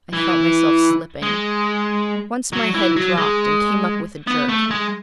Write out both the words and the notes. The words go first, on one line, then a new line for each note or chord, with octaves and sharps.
I felt myself slipping. Once my head dropped and came up with a jerk.
E3
G#3
F#3
E3
F#3
G#3
B3
A3
G#3